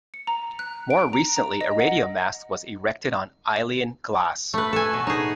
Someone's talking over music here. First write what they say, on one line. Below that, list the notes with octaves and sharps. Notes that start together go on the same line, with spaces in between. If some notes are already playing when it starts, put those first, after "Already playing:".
More recently, a radio mast was erected on Eilean Glas.
C#7
A#5
F#6
D7
A#5
A#5
D#5
F#5
A3 B4
A4 G#5
B2
D#4 G#4